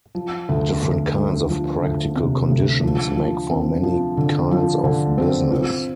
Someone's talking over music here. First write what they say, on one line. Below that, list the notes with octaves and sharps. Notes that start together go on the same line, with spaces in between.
Different kinds of practical conditions make for many kinds of business.
F3
D2
D2
D2
F3
D2
C3
D2
F3
F3
C4
F3
D3
F3
D3
C4
F4